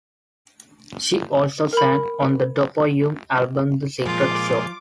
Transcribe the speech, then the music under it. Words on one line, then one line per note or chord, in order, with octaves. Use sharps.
She also sang on the Dopo Yume album "The Secret Show".
A#4 B5
A#2 F3 G#3 F4 D6